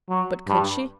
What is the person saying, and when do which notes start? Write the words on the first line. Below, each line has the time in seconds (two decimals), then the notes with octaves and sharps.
But could she?
0.09 F#3
0.48 G2